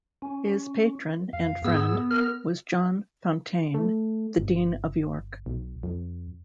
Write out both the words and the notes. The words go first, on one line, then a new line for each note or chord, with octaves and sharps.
His patron and friend was John Fountayne, the Dean of York.
C#4
F2 F5
G#2 B3 G#4 E6
A#4 F6
A3
G1
B1
F2